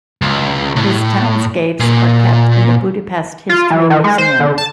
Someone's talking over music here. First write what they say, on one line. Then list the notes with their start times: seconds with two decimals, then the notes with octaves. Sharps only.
His townscapes are kept in the Budapest History Museum.
0.22 C#2
0.76 A2
1.80 A#2
3.49 F4
3.70 E3
3.90 D#3
4.04 G#3
4.18 C5
4.40 D3
4.58 A5